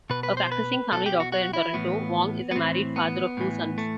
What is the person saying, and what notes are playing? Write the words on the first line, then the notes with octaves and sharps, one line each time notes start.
A practicing family doctor in Toronto, Wong is a married father of two sons.
B2 B4
B4
C5
B4
B2 A4
G4
F#4
F#4
E4
A2 E3 B3
B3
A2 E3 C4
B3
A2 E3
A3